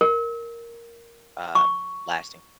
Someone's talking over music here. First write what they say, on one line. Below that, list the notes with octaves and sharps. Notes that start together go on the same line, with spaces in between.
um, lasting?
A#4
C#6